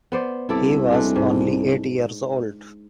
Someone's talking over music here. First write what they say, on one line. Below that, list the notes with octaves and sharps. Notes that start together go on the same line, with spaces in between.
He was only eight years old.
B3 C5 D5
C2 E4 A4 D5
G#3 A3 D4
G#2